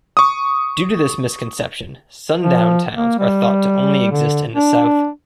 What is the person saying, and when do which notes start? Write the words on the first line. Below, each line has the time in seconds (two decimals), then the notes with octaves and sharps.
Due to this misconception, sundown towns are thought to only exist in the South.
0.17 C#6 D#6
2.42 F3
2.95 A#3
3.18 G3
4.11 D3
4.55 D4